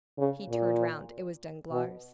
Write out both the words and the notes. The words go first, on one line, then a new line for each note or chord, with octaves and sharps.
He turned round; it was Danglars.
C#3
A#2
B2